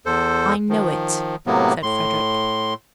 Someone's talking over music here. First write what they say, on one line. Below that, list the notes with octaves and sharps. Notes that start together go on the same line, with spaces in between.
"I know it," said Frederick.
E2 A4 C5
D#3 F3
A2 C3 F#3 A#3 B3
A2 C6